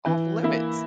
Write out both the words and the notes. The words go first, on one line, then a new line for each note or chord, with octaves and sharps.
off limits?"
E3
A#3 E4